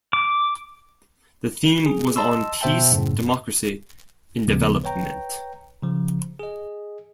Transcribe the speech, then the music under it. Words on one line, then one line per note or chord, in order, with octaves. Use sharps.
The theme was on peace, democracy, and development.
D6
G#4
D#5 A5 C6 E6
B2 C5 E5 G5 A5
F#2 A2 C#3
D#2 A#2 C#3 F3 G#3 B3
B4 C#5 G5 A#5
C#3 F3
G#4 D#5